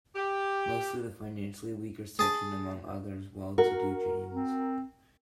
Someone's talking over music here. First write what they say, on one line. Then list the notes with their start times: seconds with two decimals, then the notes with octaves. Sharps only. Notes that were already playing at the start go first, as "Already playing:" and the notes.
Mostly the financially weaker section among otherwise well to do jains.
0.15 G4
2.19 G#4 A5
3.58 F#4 A#4
4.33 C4